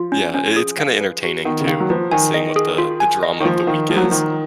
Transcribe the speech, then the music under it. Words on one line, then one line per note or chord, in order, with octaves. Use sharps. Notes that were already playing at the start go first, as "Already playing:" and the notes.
Yeah, i it's kinda entertaining too, seeing what the the drama of the week is,
Already playing: F3 F4
C#4
C#4
G#4
F5
B4
F#4
D#3 B3
C#3
D#3 F5
F#3
F3 B4
D#3 G#5
D#5
G#4
F4
G#5
D#5
D#3
F3 F4
D#3 F5
F3 A#4
F#3
F3
D#3 F4